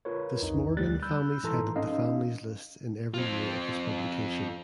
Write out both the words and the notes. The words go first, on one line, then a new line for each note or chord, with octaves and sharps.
The Smorgon families headed the families list in every year of its publication.
F4 A#4 B4 C#5
C2 F2 D#4
D2 G3 F#6 A6
B5 E6 F#6 G6
G#2 E3 A4 A#5 C6
C#4 D#4 D#5 F5
C4 F4